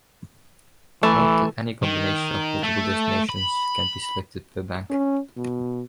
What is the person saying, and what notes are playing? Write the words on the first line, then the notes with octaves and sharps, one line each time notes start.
Note that any combination of multiple destinations can be selected per bank.
E3 A3
D#3
A3
B5
C#4
B2